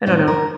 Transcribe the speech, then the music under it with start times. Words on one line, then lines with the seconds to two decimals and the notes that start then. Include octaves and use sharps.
I don't know.
0.06 A2 G3 C4 D#4 C5
0.28 A#4